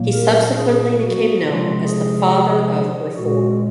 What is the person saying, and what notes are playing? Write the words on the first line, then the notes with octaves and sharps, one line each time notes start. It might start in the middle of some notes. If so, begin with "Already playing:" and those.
He subsequently became known as the Father of Reform.
Already playing: A#2 F#3 A#3
A#4
G#4
F#4
C3 F3 G#3 F4
G#4
A#2 G#3 F#4